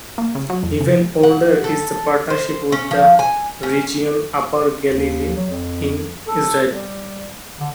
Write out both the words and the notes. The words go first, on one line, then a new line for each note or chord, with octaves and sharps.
Even older is the partnership with the region Upper Galilee in Israel.
A#3
C#3
F#3
F2
C#3
F#5
A4
C5
C#4
F3
G#5
C#4
D#2
F#3
F2
A4
G3
D3